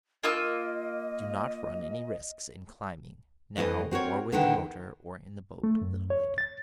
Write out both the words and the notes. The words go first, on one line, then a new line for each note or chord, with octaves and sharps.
Do not run any risks in climbing, now, or with the motor, or in the boat ... little Leda ...'
A#3 F4 D#5 E6
F2 E3 A3 D#5
C4 F#4 A#4 C#5
E2 D3 D#3 E4 F#5 G5
A3
F#2
C#5
A6